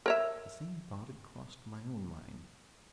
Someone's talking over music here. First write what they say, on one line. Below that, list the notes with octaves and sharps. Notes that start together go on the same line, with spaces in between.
The same thought had crossed my own mind.
A#4 C#5 E5